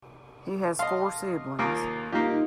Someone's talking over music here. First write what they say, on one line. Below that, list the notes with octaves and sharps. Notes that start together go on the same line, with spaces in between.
He has four siblings.
D#5 F5 A5 C6
D#2 A#3 F4 D6 D#6 D7
A#3 D#4 F4 G4